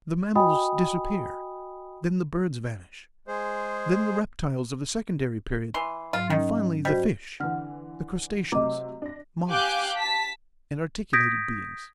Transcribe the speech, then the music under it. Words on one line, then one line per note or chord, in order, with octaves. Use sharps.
The mammals disappear, then the birds vanish, then the reptiles of the secondary period, and finally the fish, the crustaceans, molluscs, and articulated beings.
F#4 D#5 G5 G#5 B5 D#6
G#3 G#4 C5
E3 C6
G#2 F#3 F4
D#3 C#4
G3 F#4 C5 D#5
D3 E3 F#5 F6
C3 F#3 A3 D#5 D6
D4 A#6
G4 F5 G#5 D6 F#6 G6
A5 B6
D#6 G6 G#6 A#6 B6 D7